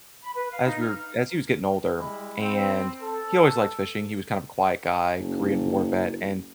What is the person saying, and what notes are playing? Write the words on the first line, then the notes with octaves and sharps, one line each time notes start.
as we were as he was getting older, and he always liked fishing, he was kind of a quiet guy, Korean War vet, and,
B5
B4
F5
D#4
F6
G3 G#3 E4 B5
C4
A4
F#1